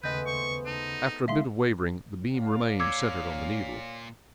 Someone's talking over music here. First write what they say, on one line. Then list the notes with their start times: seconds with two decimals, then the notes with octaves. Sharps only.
After a bit of wavering, the beam remained centered on the needle.
0.04 D#2 A2 C#3 G#3 B3 B4 D#5 G6
0.26 B3 B4 C5 C#6
0.66 D#4 A4
1.28 D3 G#3 D#4 G#4 E5 F5 C6
2.35 C#5 D5 F5
2.80 A#2 D6 E6 G#6